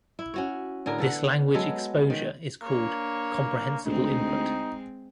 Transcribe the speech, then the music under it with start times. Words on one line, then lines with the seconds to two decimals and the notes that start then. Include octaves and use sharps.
This language exposure is called comprehensible input.
0.19 E4
0.34 C#4 F#4 C#5
0.86 A2 D3 G#4 A#4
0.98 B3 A4 F#5
1.54 F#3 G#3 B3 A4
2.10 D#3
2.63 A#3 D4 C#5
3.86 D2 G#3 C4 D#4